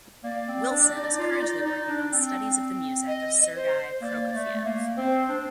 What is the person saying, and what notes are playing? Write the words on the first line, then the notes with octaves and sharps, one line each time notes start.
Wilson is currently working on studies of the music of Sergei Prokofiev.
A#3 D5
C4
D4
D#4
F4
D#4
D#4
D4
C4
D#5
C5
A#3 D5
D5
A3
A3
A#3
C4 C5
D4